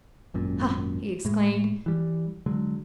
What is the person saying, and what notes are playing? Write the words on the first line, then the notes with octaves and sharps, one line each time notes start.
"Huh!" he exclaimed.
G#1 F#2 A#2
A2 G#3
E3 G3
D3 F#3 G#3